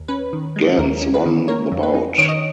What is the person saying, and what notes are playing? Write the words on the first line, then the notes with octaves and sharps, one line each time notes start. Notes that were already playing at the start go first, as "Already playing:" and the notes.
Gans won the bout.
Already playing: D#2
C#4 B4
D#3
G#3
D#2 A#4
C#4
B4
D#3
A#3 A#4 C#5
F2
B4
D#4
D#3 C#5
D#5